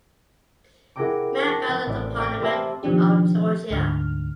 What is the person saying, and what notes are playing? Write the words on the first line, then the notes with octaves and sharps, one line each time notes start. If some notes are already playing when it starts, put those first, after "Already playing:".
Member of the Parliament of Georgia.
E4 F#4 G#4 A#4 G5 D6
A5 C#6 D6 A#6
C4 F5
A1 E4 D5
F5 G5 A#5 D6 G6 D7
G4 B4 C5 E5 G#5 A5
B2 D#3 F3 C4 D4 G4
D2 G#2 D3 F6